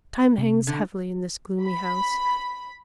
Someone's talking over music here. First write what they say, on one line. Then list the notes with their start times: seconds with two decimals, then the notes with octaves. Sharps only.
Time hangs heavily in this gloomy house.
0.38 C3
0.67 D3
1.64 B5